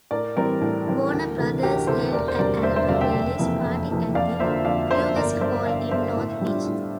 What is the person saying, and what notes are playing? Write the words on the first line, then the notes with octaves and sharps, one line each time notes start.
Warner Brothers held an album release party at the Fugazi Hall in North Beach.
A2 A#4 D5
E3 G3 C4 E4 A#4 D5
A2
E3 G3 C4 E4
D2
C3 E3 A3 E4
D2 G4 A#4
C3 E3 A3 E4 A4 C5
E1 A#4 D5
C5
D2 C3 G3 A#4 D5
E1 C5 E5
C5 E5
D2 C3 G3 D5 F5
E5 G5
F1
F2 C3 E3 A#3
F1
F2 C3 E3 A#3
F2 D5 F5
D3 F3 A#3 C5 E5
F2 D5 F5
D3 F3 A#3 C5 E5
G1 A#4 D5
G2 D3 C5 E5
G1 D5 F5
G2 D3 C5 E5
A2
G3 D4 F4
A2